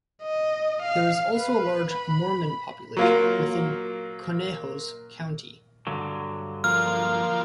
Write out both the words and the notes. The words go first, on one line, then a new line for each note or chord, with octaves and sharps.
There is also a large Mormon population within Conejos County.
D#5
F5
B4
B5
F#3 A#3 F4
G2 D3 F#3
F3 A#3 F6